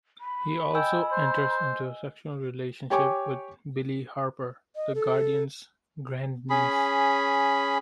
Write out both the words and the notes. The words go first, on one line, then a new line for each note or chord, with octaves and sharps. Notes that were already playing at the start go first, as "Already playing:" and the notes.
He also enters into a sexual relationship with Billi Harper, the Guardian's grandniece.
B5
D#5 G5 G#5 E6
C5
G4 C#5 G5 G#5 C#6 D6
D#5
A4
C#4 G#4 B5